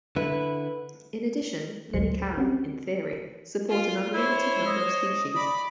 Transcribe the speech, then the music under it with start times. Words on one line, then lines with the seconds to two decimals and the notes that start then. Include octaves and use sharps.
In addition, many can, in theory, support an unlimited number of species.
0.16 D3 E4 B4
1.93 A1 D2 F#3 C5 C#7
2.37 C4 C#4 F#4 G4
3.69 F4
4.14 E4 C5 C#5
4.67 D#5
5.35 D5 B5